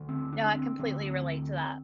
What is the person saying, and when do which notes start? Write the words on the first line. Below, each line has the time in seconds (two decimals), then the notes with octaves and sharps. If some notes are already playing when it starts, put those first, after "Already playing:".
no, I completely relate to that.
Already playing: D2 D3
0.09 C4
0.33 D4
0.55 C4
0.79 D2 D3 C4